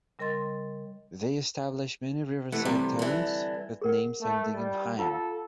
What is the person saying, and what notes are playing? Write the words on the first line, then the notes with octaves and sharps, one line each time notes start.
They established many riverside towns with names ending in "-heim".
C#3 G3 A#4 D#5 C6 A6
C3 E3 A3 F#5
C3 G3
D3 E3
G#4 A#4 F#5
A3
G3 D#5
F4 A4 F5 F#5